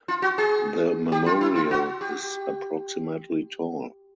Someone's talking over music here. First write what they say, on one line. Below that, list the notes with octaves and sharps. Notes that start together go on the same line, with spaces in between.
The memorial is approximately tall.
F4
F#4
G#4
G4
F4
E4
F4
F#4
G4